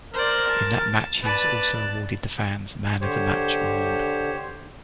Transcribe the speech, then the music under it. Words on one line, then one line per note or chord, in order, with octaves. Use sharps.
In that match, he was also awarded the fans' Man of the Match award.
A#4 C5 D5
A5
B4 D5 A5
D3 G4 C5 C#5